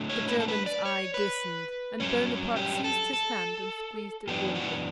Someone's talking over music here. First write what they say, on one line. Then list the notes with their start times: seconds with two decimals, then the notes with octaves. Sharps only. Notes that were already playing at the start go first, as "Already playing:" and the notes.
The German's eyes glistened, and Bonaparte seized his hand and squeezed it warmly.
Already playing: A2 F#3 A3 D4
0.09 C#5
0.28 B4
0.40 A4
0.48 B4
0.66 D5
0.85 C#5
1.14 B4
2.00 G2 F#3 C#4
2.56 G4
2.84 A4
3.13 A4
4.27 F#2 E3 B3 D4 G4
4.55 F#4